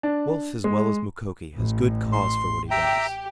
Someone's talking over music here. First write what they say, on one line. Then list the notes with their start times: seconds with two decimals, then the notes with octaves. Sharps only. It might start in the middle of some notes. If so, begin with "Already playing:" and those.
Wolf, as well as Mukoki, has good cause for what he does.
0.03 D4
0.64 G#3
1.56 A1
2.13 C6
2.71 G4 E5 G5 A#5